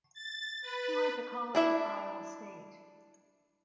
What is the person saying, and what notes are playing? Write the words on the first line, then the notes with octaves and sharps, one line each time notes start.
He went to college at Iowa State.
A6
B4
D4 E4 E5